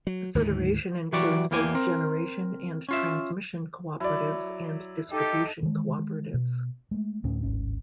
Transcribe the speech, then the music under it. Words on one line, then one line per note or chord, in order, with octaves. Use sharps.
The federation includes both generation and transmission cooperatives and distribution cooperatives.
F#3
D2 G#2 D#3 E3
E3 F#3 F#4 G4 D5
E2 E3 A#3 G4 G#5
C4 A#4
C#4 F4 E5
F#3 E4 D5
D#4 G4 A4
D#3 E3 G#3
B2
G#3 A3
D2 A2 C#4
D1 G#1 C#4